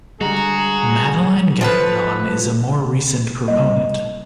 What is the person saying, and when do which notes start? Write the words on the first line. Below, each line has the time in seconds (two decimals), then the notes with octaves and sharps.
Madeleine Gagnon is a more recent proponent.
0.21 D3 G3 G#3 F#4 G#4 A#5
1.61 F3 A4 B4
3.48 G3 A#3 D#5